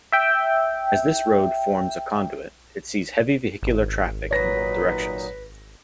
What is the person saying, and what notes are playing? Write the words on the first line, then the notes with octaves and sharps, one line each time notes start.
As this road forms a conduit, it sees heavy vehicular traffic in both directions.
E5 G5
G#1
A#2 F#3 D#4 B4 C#5 A#6